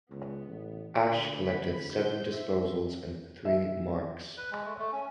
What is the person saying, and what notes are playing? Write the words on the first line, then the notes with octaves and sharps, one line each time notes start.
Ash collected seven disposals and three marks.
C#2 B3
A1
D2 B5
C5 G6
C5 E5
E5
B4
G#3
A3
A3
C#4